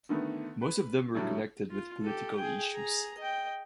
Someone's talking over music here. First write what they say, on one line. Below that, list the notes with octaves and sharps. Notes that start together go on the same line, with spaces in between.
Most of them were connected with political issues.
D3 D#3 A3 B3
B4
A2 D3 F#3 G3 A3
F4
G4 A4
G#4 G5
G#4 A#5
D#5 G5